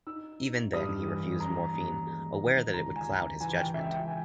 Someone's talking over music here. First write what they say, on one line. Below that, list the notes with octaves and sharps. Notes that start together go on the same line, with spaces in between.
Even then he refused morphine, aware that it would cloud his judgement.
D#4 E6
D#4
G2 D#6
E3
C#4 A#5
D#2
G#3
D#3
C#2 A#5
G#5
C#2
E3 G#5
G5
C#2 E5
G5
G#5